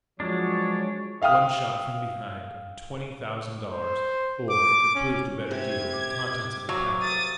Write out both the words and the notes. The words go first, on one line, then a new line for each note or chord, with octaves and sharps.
One shot from behind,--and twenty thousand dollars,--or, if it proved a better deal, the contents of the packet.
F3 F#3 G#3 D4 C#5
E5 F5 G5 D#6 F6
C5
D6
C#4
C3 G#6
D6
D6
F#3 F5
D#6 A6